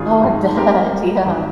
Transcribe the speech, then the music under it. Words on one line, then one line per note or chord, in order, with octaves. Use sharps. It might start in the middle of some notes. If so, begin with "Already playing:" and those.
Oh, I bet, yeah.
Already playing: G#1 F4 G#4
G#2
C4 G4 A#4
G3
G#1